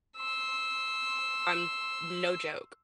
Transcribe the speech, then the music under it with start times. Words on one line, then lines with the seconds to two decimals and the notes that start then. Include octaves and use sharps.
I'm no joke.
0.17 C6 E6